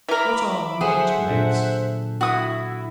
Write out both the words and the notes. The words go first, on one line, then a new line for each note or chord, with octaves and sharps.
What are Nutmegs?
E3 A#4 E5 B5 D6
D3 F#3 G#4 A4 C5 E5 F#5
A#2 D4 A4
E4 F#4 D#6